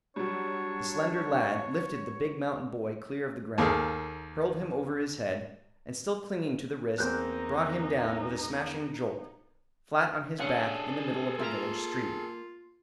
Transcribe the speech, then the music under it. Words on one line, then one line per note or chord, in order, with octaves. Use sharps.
The slender lad lifted the big mountain boy clear of the ground, hurled him over his head, and still clinging to the wrist, brought him down with a smashing jolt, flat on his back in the middle of the village street.
F#3 G3 D4 C#5
D#2 A#3 G#4 A4
E2 A#3 C4 D#4 F#6 G6
C#4 D4 G#4 A4 F5 F#5
A#3 F4 A#4 E5 A#5